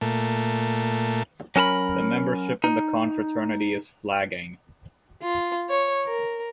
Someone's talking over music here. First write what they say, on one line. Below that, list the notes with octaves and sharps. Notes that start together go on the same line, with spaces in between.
The membership in the confraternity is flagging.
A#2 A3
F#3 C#4 A#4 A5 B5
D#4
F4
C#5
A#4